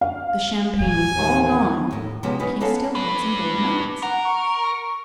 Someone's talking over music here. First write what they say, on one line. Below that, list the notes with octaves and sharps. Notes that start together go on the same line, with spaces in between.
The champagne was all gone, but he still had some gold nuggets.
F5
A2 E3 G#5
D#2
D#2 A2
C3 F3 G#3 A#3 B3 C#4
C#4 D#4 B4
A#3 B3 C#4 A4 F5 A5
D4 B4
A#4 F#5
C#6